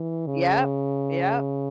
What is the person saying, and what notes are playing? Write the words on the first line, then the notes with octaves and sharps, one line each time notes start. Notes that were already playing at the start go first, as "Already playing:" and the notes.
yup, yup.
Already playing: E3
C#3